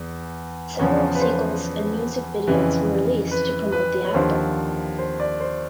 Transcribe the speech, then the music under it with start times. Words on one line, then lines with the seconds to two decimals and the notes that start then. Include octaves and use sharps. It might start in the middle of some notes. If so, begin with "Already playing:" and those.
Several singles and music videos were released to promote the album.
Already playing: E2
0.79 E2 C#3 F3 C#5
1.15 B4
1.21 C5
2.47 F2 C#3 E3
3.31 B4
3.72 B4
4.05 C#5
4.14 D#2 D3 F3 C5
4.99 C5
5.20 D5
5.40 C5